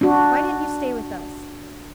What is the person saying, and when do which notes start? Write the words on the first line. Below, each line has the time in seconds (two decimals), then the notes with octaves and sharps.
Why didn't you stay with us?
0.01 D4 F#4